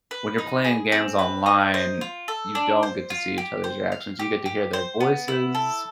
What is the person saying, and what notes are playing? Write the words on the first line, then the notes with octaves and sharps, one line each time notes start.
When you're playing games online, you don't get to see each other's reactions, you get to hear their voices
B4
D#4
G#4
C4
B4
D#4
C5
F4
A4
D4
C5
F4
G4
C5
F5
G4
G4
C5
B3
E4
A4